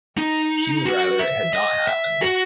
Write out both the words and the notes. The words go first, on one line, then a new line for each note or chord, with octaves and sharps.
She would rather it had not happened.
D#4
F#4
E5
D#5
E5
F#4